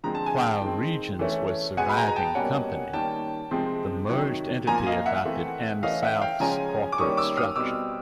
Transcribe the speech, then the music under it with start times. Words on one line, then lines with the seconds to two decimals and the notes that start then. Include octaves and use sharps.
While Regions was surviving company, the merged entity adopted AmSouth's corporate structure.
0.04 D3 F3 G#3 C4 A#5
0.15 A5
0.26 G#5
0.38 G5 A5
0.62 D#3 G#3 C4
1.19 E3 A3 C#4
1.77 B2 G#3 B3 F#5 G#5
1.89 B5
1.97 G#5 A#5
2.08 A#5
2.16 G5 A5
2.35 B2 G3 A#3 C#4 F#5 G#5
2.93 D#3 G3 A#3 C#4 G5 A5
3.51 C3 F3 G#3 C4
4.10 C3 D#3 F#3
4.67 A#2 F3 A#3 G#5 A#5
4.87 D#5 F5
5.06 E5 F#5
5.25 E3 A3 C4
5.83 E3 A3 C#4 D#5 F5
6.03 E5 F#5
6.22 F5 G5
6.40 C#3 F3 G#3 C#4 G#5 A#5
6.92 D6
6.98 D#3 G3 A#3 C#4 C#6 D#6
7.17 D6 E6
7.37 D#6 F6
7.56 B2 G3 C4 D6 E6